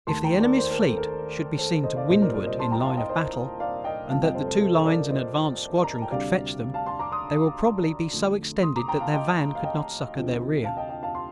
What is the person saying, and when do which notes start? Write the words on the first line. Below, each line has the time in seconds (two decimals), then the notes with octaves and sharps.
If the Enemy's Fleet should be seen to windward in line of battle, and that the two lines and advanced squadron could fetch them, they will probably be so extended that their van could not succour their rear.
0.07 D#2 D#3 A3 A5 C6
0.24 G5 A#5
0.40 A#4 D5
0.58 C5
0.71 A#4
0.84 A4
0.98 A#4
1.59 A4 C5
1.83 C5 D#5
1.96 D5 F5
2.09 C2 A#2 G3 C5 D#5
2.22 A#4 D5
2.33 A#4 D5
2.46 C5 D#5
2.59 A5 C6
2.71 G5 A#5
2.84 F5 A5
2.97 D#5 G5
3.09 C5 D#5
3.60 D5 F5
3.84 D#5 G5
4.10 F2 C3 G3 F5 A5
4.23 D#5 G5
4.35 A4 C5
4.47 A4 C5
4.60 A4 C5
4.74 D#5
4.85 A#4 D5
5.10 C5 D#5
5.84 A#5
5.94 A5
6.02 G5
6.11 D2 C3 G3 D5 F5
6.74 F5 A5
6.86 A5 C6
6.99 A#5 D6
7.12 C6 D#6
8.13 F2 D3 A3
8.63 C6 D#6
8.76 A#5 D6
8.88 G5 A#5
9.00 F5 A5
9.14 D#5 G5
9.55 F5
9.64 D#5 G5
10.15 D2 C3 F3
10.64 F5 A5
10.77 D#5 G5
10.89 D#5 G5
11.03 F5 A5
11.15 A5 C6